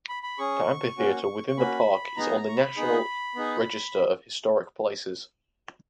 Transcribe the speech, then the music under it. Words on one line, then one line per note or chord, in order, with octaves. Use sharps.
The amphitheater within the park is on the National Register of Historic Places.
B5
B5
C#4 G#4 C#6
A#3 C#4 F#4
C#6
A#3 C#4 F#4 B5
B3 D#4 G#4 A#5
A#5
C#6
B5
B3 D#4 G#4
B3 D#4 G#4